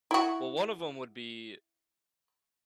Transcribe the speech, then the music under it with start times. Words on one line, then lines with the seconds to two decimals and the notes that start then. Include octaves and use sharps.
Well, one of 'em would be,
0.11 E4 F#4